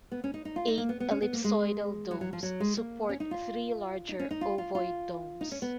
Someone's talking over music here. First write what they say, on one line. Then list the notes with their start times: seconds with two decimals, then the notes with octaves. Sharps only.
Eight ellipsoidal domes support three larger ovoid domes.
0.12 B3
0.24 C#4
0.34 D#4
0.45 D#4
0.56 F4
0.68 D#4
0.78 A#3
0.89 B3
1.00 B3
1.11 C#4
1.22 B3
1.33 A#3
1.44 G#3
2.11 F#3
2.21 F#3
2.33 F3
2.43 F#3
2.60 G#3
2.77 A#3
3.09 C#4
3.20 D#4
3.31 F4
4.09 D#4
4.19 C#4
4.31 D#4
4.41 F4
4.58 F4
4.75 F4
5.41 D#4
5.52 C#4
5.62 B3